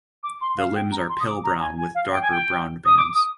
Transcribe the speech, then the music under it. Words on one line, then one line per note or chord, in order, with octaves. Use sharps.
The limbs are pale brown with darker brown bands.
D6
C6
F5
G5
A#5
C6
D#6
D6
A#5
G#5
G#5
F5
G5
G#5
G5
D#6
D6
D#6